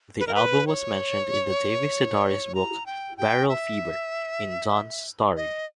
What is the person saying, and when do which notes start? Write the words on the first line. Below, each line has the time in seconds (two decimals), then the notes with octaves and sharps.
The album was mentioned in the David Sedaris book "Barrel Fever", in "Don's Story".
0.20 B4
0.27 A#4
0.35 B4
0.67 C#5
2.55 A#5
2.86 G5
3.17 G5
3.49 E5
5.37 D#5